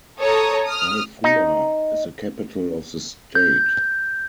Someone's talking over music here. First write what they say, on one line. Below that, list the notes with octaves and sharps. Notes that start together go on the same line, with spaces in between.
Al-Fulah is the capital of the state.
A4 C#5 A#5 D#6
D#6 F6
D#4
G6